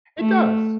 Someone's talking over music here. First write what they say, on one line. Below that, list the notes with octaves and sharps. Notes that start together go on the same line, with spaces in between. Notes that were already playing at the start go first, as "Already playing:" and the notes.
It does.
A3